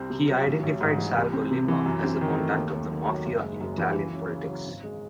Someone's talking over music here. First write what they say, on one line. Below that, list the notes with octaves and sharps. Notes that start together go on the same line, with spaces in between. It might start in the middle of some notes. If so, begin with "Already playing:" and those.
He identified Salvo Lima as the contact of the Mafia in Italian politics.
Already playing: C2 C4
C3
F#3
A1
A1
G#2
E3
C2
C4
C3
E3
F#2
C4
D#3
A3
D#2
D#2
D#3
F#3
F#1
G#3
F#2
E3
C#2
C#4
C#3
F#3
G#1
G#3